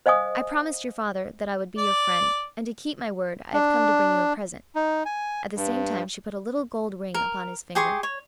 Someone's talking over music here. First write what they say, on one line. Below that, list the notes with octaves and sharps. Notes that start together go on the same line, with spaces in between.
"I promised your father that I would be your friend, and to keep my word I have come to bring you a present." At the same time she put a little gold ring upon his finger.
C5 D#5 F5 G#5 D#6
D5
D4
D#4
G#5
G2
A#4
G4 G#4 C6 C#6
C#5